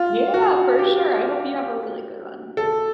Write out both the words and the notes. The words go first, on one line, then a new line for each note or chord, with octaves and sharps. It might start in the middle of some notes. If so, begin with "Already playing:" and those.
Yeah, for sure. I hope you have a really good one.
Already playing: F4
F#4
G4
A4